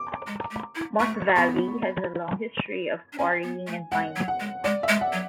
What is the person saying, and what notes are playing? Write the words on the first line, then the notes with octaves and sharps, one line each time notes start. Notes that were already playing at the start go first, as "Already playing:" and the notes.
Moss Valley has a long history of quarrying and mining.
Already playing: D6
G#3
A3
E4
A3 C#6
B3 B5
D4
C#4 G#5
B3
A3
G#3 F#5
F#3
F#5
G#3
G#3 D5
E5
G#3
F#5
F#3